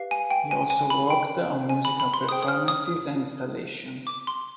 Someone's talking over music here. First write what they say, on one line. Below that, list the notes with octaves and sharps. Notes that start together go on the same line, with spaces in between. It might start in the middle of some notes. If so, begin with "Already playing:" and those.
He also worked on musical performances and installations.
Already playing: G4 B4 F5
G#5
G5
G#5
G#5
B5
G5
G#5
B5
B5
C6
G#4 C5 G5 D#6
D#6
F6
D#6
D6
C6